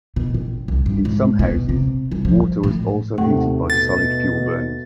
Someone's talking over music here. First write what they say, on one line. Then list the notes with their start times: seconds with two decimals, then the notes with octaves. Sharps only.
In some houses water was also heated by solid fuel burners.
0.16 B2
0.34 A1
0.68 C2
0.86 G2
1.05 G#2
1.39 B2
1.69 C3
2.11 C2
2.25 F3
2.63 A2
3.18 D#2 A2 C3 A3 F#5
3.70 B2 A6